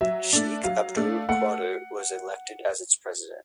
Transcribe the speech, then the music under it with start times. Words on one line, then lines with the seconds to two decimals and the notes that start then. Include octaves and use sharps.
Sheikh Abdul Qadir was elected as its president.
0.01 F#3 E5
0.33 A3 D4
0.64 F#3 F5
0.96 A3 D4
1.29 A3 F#5